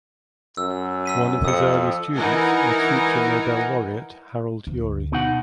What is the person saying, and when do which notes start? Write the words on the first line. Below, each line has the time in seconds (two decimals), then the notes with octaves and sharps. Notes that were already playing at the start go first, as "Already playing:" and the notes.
One of his early students was future Nobel laureate Harold Urey.
0.57 F#2 E6
1.06 E6 B6 D#7
1.45 F2 D#6 C#7
2.15 E3 D#4 E4 A#4 F#5 G#5
4.67 D2
5.12 B2 D#4 F#5